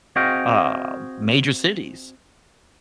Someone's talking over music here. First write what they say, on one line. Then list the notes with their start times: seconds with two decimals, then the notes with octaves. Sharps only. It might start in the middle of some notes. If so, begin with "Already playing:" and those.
uh, major cities.
0.16 C4 F#4 G#4 D#5 F5 G5